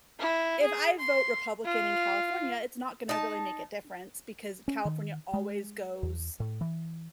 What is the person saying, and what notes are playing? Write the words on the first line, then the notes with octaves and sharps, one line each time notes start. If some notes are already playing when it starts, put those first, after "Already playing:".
if I vote Republican in California, it's not gonna really make a difference because California always goes,
E4
G#4
C6
F4
D#4 A5
C#4
D#3
G#3
E2
A2
E3